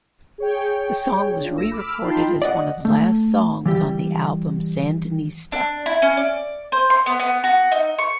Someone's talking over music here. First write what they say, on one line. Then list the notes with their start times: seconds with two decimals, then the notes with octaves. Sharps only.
The song was re-recorded as one of the last songs on the album Sandinista!
0.38 G#4 C#5 G5
1.40 D4 F4
1.57 A#1 A3 E6 A#6 E7
1.71 B5 D6 E6 F6
2.03 D#4 F4 G5 A5 B5 C6
2.42 D5 D#5 F#5
2.85 A3
3.66 E3 G3 G4
5.52 D4
5.86 E4
6.02 C#4
6.17 D5
6.72 C5
6.90 C6
7.06 B3
7.19 B3
7.44 F#4
7.72 D#4
7.98 C#6